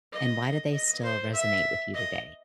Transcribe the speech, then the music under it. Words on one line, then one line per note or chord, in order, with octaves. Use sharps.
and why do they still resonate with you today?
D#5
D#5
C5
E5
D#5